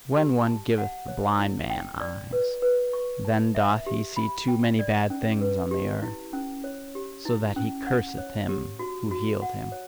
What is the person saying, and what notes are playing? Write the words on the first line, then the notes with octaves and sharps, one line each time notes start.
And when one giveth the blind man eyes, then doth he see too many bad things on the earth: so that he curseth him who healed him.
G4
A5
F#5
C#5
E4
G5
D5
B4
B4
C#6
A5
E5
G4
B5
G5
D5
C#4
B4
G4
E4
C#4
C#5
G4
E4
C#4
F#5
C#5
G4
F#4
F#4
F#5
C#5